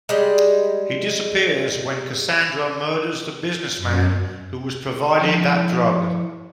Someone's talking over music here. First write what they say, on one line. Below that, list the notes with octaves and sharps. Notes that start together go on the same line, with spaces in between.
He disappears when Cassandra murders the businessman who was providing that drug.
G3 G#3
F#2
F3 G3 E4 C5 C#5 A5